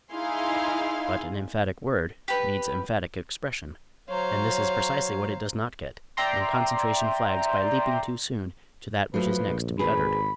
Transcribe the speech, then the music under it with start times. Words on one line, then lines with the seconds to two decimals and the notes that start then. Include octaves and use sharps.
But an emphatic word needs emphatic expression, and this is precisely what it does not get when concentration flags by leaping too soon to that which is next to be uttered.
0.13 D#4 E4 G#4 F5 C6
2.28 G4 B4
4.09 F#3 C5 C#5 F5 A#5
6.17 D5 E5 G5 A#5 C6
9.14 F3 F#3 A3 B4
9.47 A#1
9.79 G#1 G#4 B4 B5